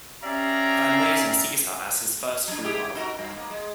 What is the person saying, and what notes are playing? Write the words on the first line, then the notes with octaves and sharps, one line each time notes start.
Van Weyden sees her as his first true love.
C#4 G4 D5 E5 F5 A#5
F#3 D4
E4 G4 G#4
D#4 F#4 A#4
G2
A#3 B3
G#3